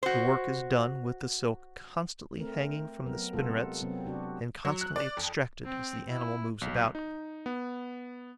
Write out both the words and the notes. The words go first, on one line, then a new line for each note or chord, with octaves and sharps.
The work is done with the silk constantly hanging from the spinnerets and constantly extracted as the animal moves about.
F#4 C5
A3 C4 A#4
F#3 B3 A#4
C3 G#3 B3 F4 A4
C3 F#3 B3 C4
C3 D4 F#4
F#3
F#6
D5
F2
C4
E4
B1
D#4
B3